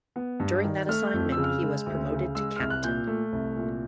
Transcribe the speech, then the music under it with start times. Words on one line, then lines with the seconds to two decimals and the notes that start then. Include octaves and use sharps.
During that assignment, he was promoted to captain.
0.16 B3
0.40 G2
0.64 D#3
0.89 A3 F6
1.07 G6
1.13 F2
1.32 E6
1.37 C#3
1.43 F6
1.62 G#3
1.86 D2
2.10 C#3
2.35 G#3 E6
2.56 C2 F6
2.70 F#6
2.83 A#2 G6
3.07 A3
3.32 C2
3.56 A#2